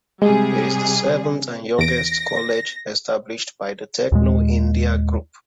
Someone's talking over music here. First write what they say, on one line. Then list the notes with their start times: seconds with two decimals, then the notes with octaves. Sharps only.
It is the seventh and youngest college established by the "Techno India Group".
0.22 C3 G3 G#3 G#4
1.79 E2 A#6 D7
4.12 D#2 A#2 G#3